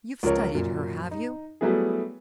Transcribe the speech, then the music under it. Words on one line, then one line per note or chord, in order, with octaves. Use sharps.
You've studied her, have you?
C#2 F3 A#4 C#5
F#2 A#2
D#4
F#3 G3 A3 B3 E4 G#4